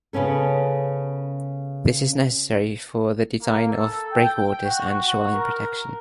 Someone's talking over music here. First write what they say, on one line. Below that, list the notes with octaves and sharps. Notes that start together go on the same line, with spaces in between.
This is necessary for the design of breakwaters and shoreline protection.
C#3 B3 C#4 A4
A#3
A4
G5
F#4
F#4
A#4